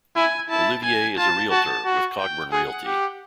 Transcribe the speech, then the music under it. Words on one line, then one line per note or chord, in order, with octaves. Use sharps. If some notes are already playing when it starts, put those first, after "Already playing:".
Olivier is a Realtor with Cogburn Realty.
E4 G#5
E4 A5
G#5
F4 A5
F#4 A5
F#4
G5
G#4 F#5
G4